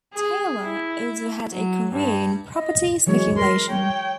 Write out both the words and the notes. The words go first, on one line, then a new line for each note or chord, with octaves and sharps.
Taylor also had a career in property speculation.
G#4
E4
F#3
G2
D#5
E3 F#3 G#3 C#5
A#4 C6
C#5 G5